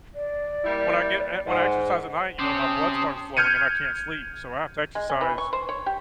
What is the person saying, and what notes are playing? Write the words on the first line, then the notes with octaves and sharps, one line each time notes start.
When I get uh, when I exercise at night, you know, my blood starts flowing and I can't sleep, so, I have to exercise
D5
G3 A#3 E4
G#2 F#5
C4 C#4 G4 A5 D#6
F6 G6 G#6 C#7 D#7
G#3
C#4
E3
C#6
C5
C#5
G4